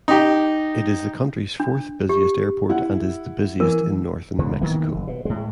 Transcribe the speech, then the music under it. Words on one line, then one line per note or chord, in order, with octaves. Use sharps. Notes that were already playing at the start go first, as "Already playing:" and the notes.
It is the country's fourth busiest airport and is the busiest in northern Mexico.
D#4 G4
D4
G4
E4 F#5
E3 A#4
C#2 D3
D#3 E3 A#3 B3
F#1
B2
A2 G#3